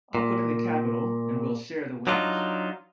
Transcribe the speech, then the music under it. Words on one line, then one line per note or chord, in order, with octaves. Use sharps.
I'll put in the capital and we'll share the winnings.
A#2
F#3 D4 D#4 F4